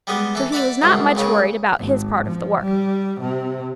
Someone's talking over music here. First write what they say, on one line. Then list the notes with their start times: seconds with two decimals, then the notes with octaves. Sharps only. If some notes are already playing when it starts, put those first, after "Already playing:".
So he was not much worried about his part of the work.
0.07 G3 G#3 B3 G4
0.35 E3 A4
0.52 D5 E5 F#5 B5 D6
0.82 C2 G#2 B2
1.15 C#2 A#2 C#3
1.79 G#1
2.26 F3
2.60 G3
3.21 C3